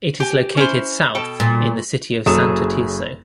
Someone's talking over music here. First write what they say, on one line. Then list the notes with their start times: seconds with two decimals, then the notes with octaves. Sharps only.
It is located south in the city of Santo Tirso.
0.20 G4 G#5
0.57 C#4 E4 C5
1.15 B2 A4 G5
1.40 A#2
2.26 F#1 F#3 G#4 A4 E7